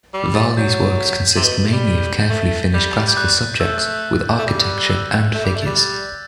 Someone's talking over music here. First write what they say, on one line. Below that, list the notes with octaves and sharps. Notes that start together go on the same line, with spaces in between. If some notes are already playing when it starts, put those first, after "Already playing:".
Varley's works consist mainly of carefully finished classical subjects, with architecture and figures.
G3
A6
F#3 G6
A6
B6
B6
B6
D#7 F#7
C3
G7
B2 D#7 F#7
B2
A3
G3
B6 D#7
G6
G6
A3 A6
G3 G6
G6
F#6
A3 E6
A3
G3
E6
F#6
A3 G6
G3
A3
A6
G3
A6